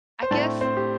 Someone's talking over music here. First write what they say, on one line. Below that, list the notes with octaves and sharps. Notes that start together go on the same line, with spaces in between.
I guess,
C5
A2 A3 C4 D4 D5
C4 C5
G4